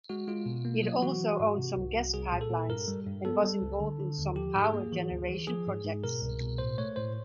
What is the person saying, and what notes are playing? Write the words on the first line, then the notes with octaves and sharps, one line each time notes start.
It also owned some gas pipelines and was involved in some power generation projects.
G#3 F#4
G#3 F4
B2
A#3
F#3
E3 F#4
E3
G#2
C3
C2
C2
C2 G#4
A#2
A4
A#2
G2 A#4
G3
G2
B3 A4
G3
C#2
D3
D3
D#2
F3 G4
G#2
G#4
A#3
E3
D2
E3
F3 G#4
G#2
G#2
B2 A#4
C2
B2
A2 C5
A3 C#5
A2 C5